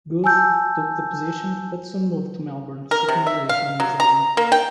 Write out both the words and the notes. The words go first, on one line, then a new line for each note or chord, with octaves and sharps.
Goethe took the position but soon moved to Melbourne seeking relief from his asthma.
G#5 A5 E6 G6
A#4
C3
E5
F5
F#3
A#5
A#3
G5